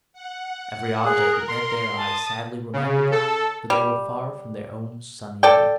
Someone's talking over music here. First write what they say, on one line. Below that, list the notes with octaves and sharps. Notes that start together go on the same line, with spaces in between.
Every object that met their eye sadly reminded them that they were far from their own sunny Italy.
F#5
G#4 A#4 F#6
C6 C7
A5 D#6
C#3
A4
G3
A4 D5 G5